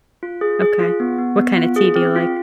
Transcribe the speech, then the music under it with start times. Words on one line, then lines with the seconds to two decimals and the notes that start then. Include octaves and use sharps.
Okay. What kinda tea do you like?
0.23 F4
0.41 G#4
0.62 G#4
0.80 F4
1.00 B3
1.18 B3
1.38 B3
1.57 F4
1.76 G#4
1.96 C4
2.16 F4